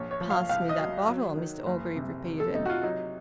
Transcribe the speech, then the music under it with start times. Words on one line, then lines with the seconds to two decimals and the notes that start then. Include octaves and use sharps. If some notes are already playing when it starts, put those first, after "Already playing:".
"Pass me that bottle," Mr Orgreave repeated.
Already playing: A#1 C#5
0.11 C#5
0.21 F3
0.30 F5
0.49 C2 F5
0.69 D#5
0.79 F#3
1.08 F#3
1.37 D#3
1.66 F#1
1.96 C3
2.25 F1
2.40 A4
2.54 C3 D#4
2.65 F#4
2.69 F4
2.83 F#3 D#4